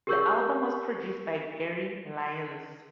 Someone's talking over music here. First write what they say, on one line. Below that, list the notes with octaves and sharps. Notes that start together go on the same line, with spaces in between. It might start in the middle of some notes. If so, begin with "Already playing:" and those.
The album was produced by Gary Lyons.
G4 G#4 A#4 C#6 E6 G6